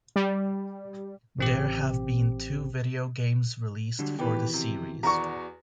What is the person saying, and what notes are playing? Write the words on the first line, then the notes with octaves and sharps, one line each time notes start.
There have been two video games released for the series.
G3
A1 C4 G4
D3 F#3 G3
B2 D#3 E3 G4 B4
C3
E2 F#4 D5 A#5 C#6